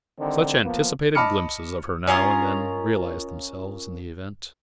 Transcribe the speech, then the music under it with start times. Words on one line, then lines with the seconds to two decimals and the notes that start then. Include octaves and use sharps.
Such anticipated glimpses of her now and then realized themselves in the event.
0.18 C2 D3 D#3 C4
0.64 F3 A#3 B3
1.15 D#5 A5 B5 D6 F6 C#7
2.07 C#4 F4 A#4 D#5